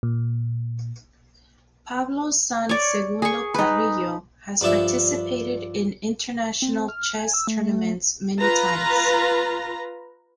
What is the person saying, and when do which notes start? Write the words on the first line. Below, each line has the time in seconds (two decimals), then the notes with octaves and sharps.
Pablo San Segundo Carrillo has participated in international chess tournaments many times.
0.03 A#2
2.69 C#5 D5
3.22 G#4 C#6
3.54 D#4 B4
4.61 G2 F3 D4 E5
6.62 C4
6.89 F6
7.18 G#5
7.34 E6
7.47 A3
8.40 F4 B4 A#5